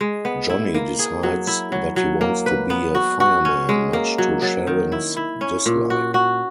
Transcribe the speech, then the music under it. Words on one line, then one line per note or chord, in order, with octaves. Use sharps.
Johnny decides that he wants to be a fireman, much to Sharon's dislike.
G#3
B3
E4
A#3
G#4
F#3
E4
F#3
F#3
A#3
B4
B3
F#4
F#4
C#4
G#3
A#3
F#3
F#3
D#3
E4
E4
C#4
A#2
F#4
F#4